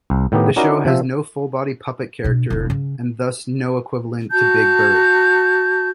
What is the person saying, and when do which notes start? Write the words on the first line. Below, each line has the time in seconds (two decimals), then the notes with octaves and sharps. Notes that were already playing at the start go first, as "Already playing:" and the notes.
The show has no full-body puppet character and, thus, no equivalent to Big Bird.
0.10 C2
0.32 A2 D#3 B3 D#4 G4
0.56 C#4 D#4 E4 F#4 A#4 D5
0.85 C3 F3 E5
2.24 B2 D4
2.50 F1 F4
2.70 C#3 C#4
4.31 F#4 A5 G6